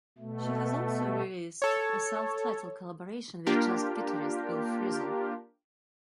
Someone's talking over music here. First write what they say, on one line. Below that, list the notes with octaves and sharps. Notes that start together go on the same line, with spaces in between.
She has also released a self-titled collaboration with jazz guitarist Bill Frisell.
B2 A3
A4 C#5
A#3 D4 F4 G4 A#4